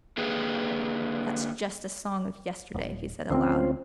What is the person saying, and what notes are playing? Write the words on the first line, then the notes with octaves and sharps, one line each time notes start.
"That's just a song of yesterday," he said aloud.
D3 A#3 G4 G#4 B4
D#1
D2 G3 C4 C#4 F4 C5